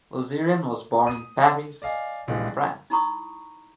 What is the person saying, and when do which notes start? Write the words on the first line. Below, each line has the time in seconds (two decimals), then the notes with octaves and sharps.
Lusseyran was born in Paris, France.
1.07 D#6 D#7
1.82 D5 D#5 F5 G#5
2.27 D#1 A#1 E3 G3 G#3 B4
2.90 D#4 E4 A#5 B5 C#6 D#6